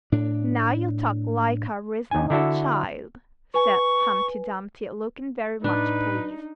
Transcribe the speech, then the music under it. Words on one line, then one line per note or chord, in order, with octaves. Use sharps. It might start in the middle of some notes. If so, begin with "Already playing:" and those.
'Now you talk like a reasonable child,' said Humpty Dumpty, looking very much pleased.
A2 D4
D#2 G#5
D3 E4 F#4 A4
B4 G#5 C#6
A2 D4 D#4 B4